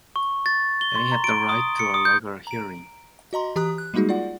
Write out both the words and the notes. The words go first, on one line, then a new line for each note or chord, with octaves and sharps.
They have the right to a legal hearing.
C#6
A6
G7
C6
A#5
D7
D#6
C#7
D#6
G6
A#5 D7
F#4 D#5 A#5 C6
E3 G4 A#5 D#6 F#6
F#6
G3 G#3 A#3 D#4 F#4 G#4
F4 D5 F#5